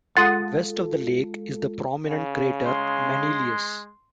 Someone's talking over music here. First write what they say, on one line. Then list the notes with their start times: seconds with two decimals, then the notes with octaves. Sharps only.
West of the lake is the prominent crater Manilius.
0.17 G#3 F4 A4 F#5 C6 D#6 A6
2.06 C#3
2.66 G#3 C6